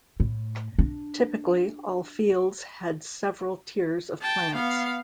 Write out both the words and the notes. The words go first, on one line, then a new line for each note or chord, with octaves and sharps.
Typically, all fields had several tiers of plants.
A2
D4
G5 A5
B3 F5